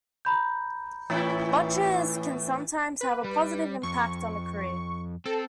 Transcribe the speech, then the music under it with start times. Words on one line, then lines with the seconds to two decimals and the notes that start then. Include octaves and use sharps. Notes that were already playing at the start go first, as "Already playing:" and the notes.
Botches can sometimes have a positive impact on a career.
0.25 A#5 B5 G6
1.10 A2 E3 C#4 E4
3.01 B4
3.24 G3
3.83 F2 C#6
5.26 C4 A4